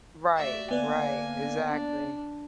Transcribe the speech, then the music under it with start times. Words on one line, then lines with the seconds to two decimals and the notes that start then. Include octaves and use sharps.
Right, right, exactly.
0.37 D#2 A3 F#4 D5 E5
0.71 D3 A#3 B3 D5 G#5
1.67 D4